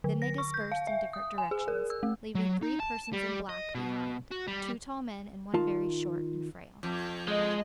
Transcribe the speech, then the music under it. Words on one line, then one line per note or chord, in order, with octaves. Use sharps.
Then they dispersed in different directions, leaving three persons in black behind, two tall men and one very short and frail.
D3
A#6
C#6
G6
F5
E5
D#6
G#5
G#4
A#4
E6
A3
F#3
D#4
A5
G3
D#5
B2
F#4
G3
D#3 F4 A5
F2
G#3 D#5